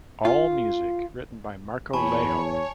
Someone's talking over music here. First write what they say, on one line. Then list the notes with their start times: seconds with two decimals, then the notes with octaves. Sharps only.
All music written by Marko Laiho.
0.25 F4
1.93 E2 C#5 G#5 A5 B5 C#6